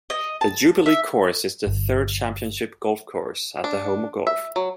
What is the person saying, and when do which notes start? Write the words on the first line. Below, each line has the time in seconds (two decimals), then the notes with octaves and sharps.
The Jubilee Course is the third championship golf course at the Home of Golf.
0.10 D#5
0.41 A5
0.86 E5
1.67 G1
3.64 D4
4.27 E5
4.56 F#3